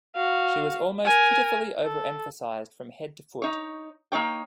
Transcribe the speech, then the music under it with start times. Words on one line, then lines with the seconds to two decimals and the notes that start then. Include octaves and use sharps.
She was almost pitifully overemphasized from head to foot.
0.15 F#4 F5
1.05 A#4 G#5
1.82 A4
3.42 D#4 C#5
4.12 A#3 D#4 C#5 G5